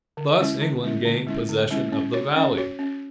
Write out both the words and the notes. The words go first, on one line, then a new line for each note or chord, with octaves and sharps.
Thus England gained possession of the valley.
D3
G#3 C#4 E4
D3
G#3 C#4 E4
D3
G#3 C#4 E4
D3
G#3 C#4 E4
C#4
F#4 C#5
C#4
F#4 C#5
C#4